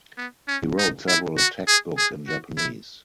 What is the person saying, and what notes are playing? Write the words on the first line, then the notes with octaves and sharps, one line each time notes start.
He wrote several textbooks in Japanese.
B3
C#4
D#4
E4
F#4
G#4
G#4
F#4
E4